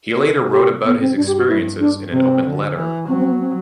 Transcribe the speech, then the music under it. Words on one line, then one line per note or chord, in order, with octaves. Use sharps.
He later wrote about his experiences in an open letter.
C3 A4
G4
B3
C4
G2 D4
G4
F#4
G2 E4
D4
C3 C4
D3
E3
F#3 C4
C4
B3
C4